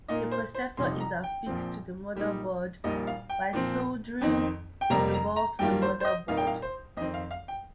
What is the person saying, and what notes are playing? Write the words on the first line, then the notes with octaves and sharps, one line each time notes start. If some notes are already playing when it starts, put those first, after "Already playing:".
The processor is affixed to the motherboard by soldering the balls to the motherboard.
A#2 A#3 D#4 D#5
C5
C5
C2 C3 F3 D#4 C6
A#5
G5
A#1 A#2 F3 C4
A#2 G3 D#4
A#1 A#2 G3 A#3 D#4 D#5
F5
G5
A#2 F3 C4
F2 D#3 C4 D#4
G5
F1 F2 C3 G3 A#3 A#5
A#5
A#5
G2 D#3 G3 A#3 F4 G5
C5
C5
D#5
C2 A#2 A#3 D#4 F5
G5
F5
C5
F2 D#3 C4 D#5
F5
F5
G5